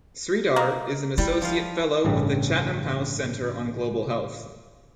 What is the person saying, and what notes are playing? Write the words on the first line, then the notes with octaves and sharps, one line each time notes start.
Sridhar is an Associate Fellow with the Chatham House Centre on Global Health.
A#3
G3 E4
F3 F5
A1 G2 C#3 G3